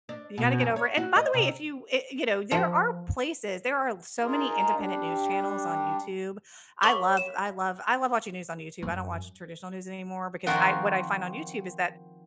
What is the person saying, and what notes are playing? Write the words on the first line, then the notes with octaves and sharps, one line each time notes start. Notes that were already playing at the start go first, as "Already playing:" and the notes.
You gotta get over and by the way, if you i you know, there are places, there are so many independent news channels on YouTube. I love I love I love watching news on YouTube, I don't watch traditional news anymore because I what I find on YouTube is that
D4
B2
F#2
C#5
F#4
D#5
C3
F3
D#4 F4 G#4 A#4
G3 D4
A#4 C#5 F5 B5 C#6 D6
E7
F#2
D#3 F3 C4 F4 F#4 A#4